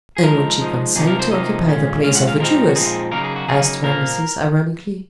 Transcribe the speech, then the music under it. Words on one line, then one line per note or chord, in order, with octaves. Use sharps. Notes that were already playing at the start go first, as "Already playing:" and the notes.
"And would she consent to occupy the place of the Jewess?" asked Rameses, ironically.
G#4
F3 G#3 D#4 A#4
F3 G#3 D#4
C3 F3 A#3 D#4 G#4
A#4
C5
C3 F3 A#3 D#4 D#5
A#2 G#3 C#4
A#2 G#3 C#4 F5
F#5
F5
A#2 F3 G#3 C4 D#4 A#4
F#4
A#2 F3 G#3 C4 D#4 G#4
C#3 F#3 A#3 D#4 A#4
G#4
F#4
C#3 F#3 A#3 D#4 G#4
A#2 F3 A#3 A#4